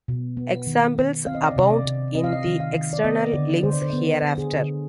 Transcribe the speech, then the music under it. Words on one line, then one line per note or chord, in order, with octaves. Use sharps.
Examples abound in the "External Links" hereafter.
B2
B3
D#3
D#3
C4 F5
D#5
D5
D#5
C3
D5
C3
C4 D#5
F5
D#5
D#3
F5
D#3
D5
B3 D#5
D3 D5
D3 C5
D5
C5
B3
D3
G#4
D3